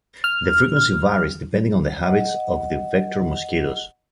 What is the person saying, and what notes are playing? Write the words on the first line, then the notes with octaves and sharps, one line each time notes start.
The frequency varies depending on the habits of the vector mosquitos.
F6
D#5 F#5